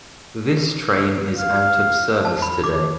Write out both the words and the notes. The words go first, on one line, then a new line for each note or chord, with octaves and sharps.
This train is out of service today.
F5
A5
B5
D6